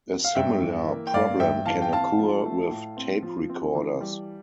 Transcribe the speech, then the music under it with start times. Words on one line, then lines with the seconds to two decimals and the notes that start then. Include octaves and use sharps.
A similar problem can occur with tape recorders.
0.24 F5
0.35 G2 E5 G5
0.62 E3
0.88 A#3
1.07 G5
1.14 G2 D5 F5
1.40 G2 E5 G5
1.66 E3 F5 A5
1.82 G5
1.92 C4 F5 A5
2.19 F3
2.45 A3
2.70 A2
2.97 C4
3.23 F3
3.49 C4
3.75 E3
4.01 G3